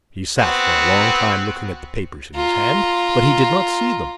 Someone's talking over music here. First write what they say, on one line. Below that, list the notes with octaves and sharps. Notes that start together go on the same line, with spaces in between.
He sat for a long time looking at the papers in his hand, but he did not see them.
B3 C4 F#4
F4 A#5